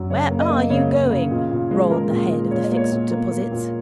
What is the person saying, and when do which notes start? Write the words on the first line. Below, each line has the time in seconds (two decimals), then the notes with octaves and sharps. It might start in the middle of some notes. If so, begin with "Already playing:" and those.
'Where are you going,' roared the head of the Fixed Deposits.
Already playing: F#2
0.10 C#3 C#5
0.31 A#3
0.40 D#5
0.50 A#3
0.70 C#3 C#5
0.90 C#3
1.10 C#3
1.31 A#2
1.51 A#2
1.71 G#3
1.90 G#3 A#4
2.11 A#2
2.31 G#3
2.51 A#2 C#5
2.64 D#5
2.71 A#3
2.77 C#5
2.92 A#2
3.11 A#3
3.31 A#3
3.52 A#2